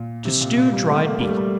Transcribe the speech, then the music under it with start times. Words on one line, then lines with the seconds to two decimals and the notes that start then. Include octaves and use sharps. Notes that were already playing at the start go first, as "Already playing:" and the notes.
To Stew Dried Beef.
Already playing: A#2
0.25 C3
0.41 A#2
0.57 A#2
0.73 G3
0.89 A3
1.05 A#3
1.21 G3
1.29 A3
1.37 G3